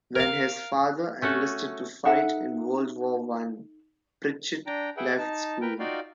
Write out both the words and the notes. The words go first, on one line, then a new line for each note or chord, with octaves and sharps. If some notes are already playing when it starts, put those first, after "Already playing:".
When his father enlisted to fight in World War One, Pritchett left school.
A#4 F5
A3 C#4 F#4 A4
D#4 A4 E5 F#5
D4 G5 A#5
G#4 B4 E5 F#5 G5
D#4 A5
A#4 B4 G5
D#4 F4 F#4 D5 F5 G5